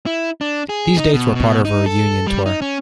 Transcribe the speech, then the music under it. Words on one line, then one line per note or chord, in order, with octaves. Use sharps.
These dates were part of a Reunion Tour.
E4
D4
G#4
D#4
B2
B2
D#4
A4
G3
D#4
C#4